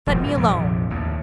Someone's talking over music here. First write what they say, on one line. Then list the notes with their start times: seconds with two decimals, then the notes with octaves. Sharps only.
Let me alone.
0.07 E1 G#2 F3 G3
0.23 B2 E3
0.37 A#1 F2 G#2 C3
0.90 D#2 A2